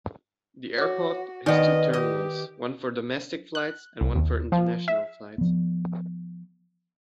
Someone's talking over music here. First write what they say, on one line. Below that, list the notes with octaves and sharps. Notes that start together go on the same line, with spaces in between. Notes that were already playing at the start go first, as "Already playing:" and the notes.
The airport has two terminals, one for Domestic Flights and one for International Flights.
F#4 C#5 D6
D#3 B3 D#4 D5 D#5
G4 D#5
F#6
C2
D#2
F3
E5
F3 B3